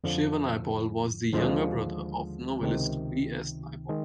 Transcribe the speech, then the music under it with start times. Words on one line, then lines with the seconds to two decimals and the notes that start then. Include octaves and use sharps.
Shiva Naipaul was the younger brother of novelist V. S. Naipaul.
0.04 F2 D3 F3
1.33 D#2 D3 F3 G#3
2.61 C#2 C3 D#3
3.89 D#3 G#3